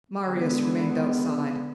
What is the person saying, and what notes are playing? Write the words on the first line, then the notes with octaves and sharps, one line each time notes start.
Marius remained outside.
D3 G#3 B3